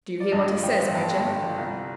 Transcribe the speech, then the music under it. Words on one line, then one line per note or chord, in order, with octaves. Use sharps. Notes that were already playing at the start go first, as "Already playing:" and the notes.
"Do you hear what he says, major?"
D5
G2 D#5
F3
F3 G5
G1 G5
G1 A5
G1 G5
G1
F3
C2